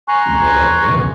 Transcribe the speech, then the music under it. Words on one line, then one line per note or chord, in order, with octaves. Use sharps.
Worl Yeah.
G#5 A#5 C6 C#6 F#6